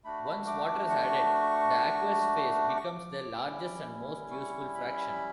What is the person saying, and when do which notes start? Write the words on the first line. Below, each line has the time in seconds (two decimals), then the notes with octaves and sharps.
Once water is added, the aqueous phase becomes the largest and most useful fraction.
0.04 A3 D4 F#4 B5
0.25 B5
0.47 D6
0.68 D6
0.89 C#6
2.68 D6
2.76 C#6
2.84 D6
3.46 G3 C#4 E4
4.31 C#6
4.74 B5